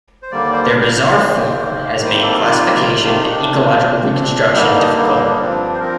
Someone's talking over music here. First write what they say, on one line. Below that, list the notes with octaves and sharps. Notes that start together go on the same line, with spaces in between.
Their bizarre form has made classification and ecological reconstruction difficult.
C5
D#2 D3 G3 A#3 D5
C5
A#4
D#2 D3 G3 A#3 C5
D#2 D#3 A#3
D#2 D#3 A#3
C3 D#3 G3 A#3 C5
A4
C3 D#3 G3 A#3 F4
C3 D#3 A3
F4
D#4
C3 D#3 A3 D4
A#2 A3 C4
A#2 A3 C4
G2 D3 G3 A#3 D#4
D#4
G2 D3 G3 A#3 D#4
D#4
D4
G2 F3 C4 D4
C5
F3 C4 A#4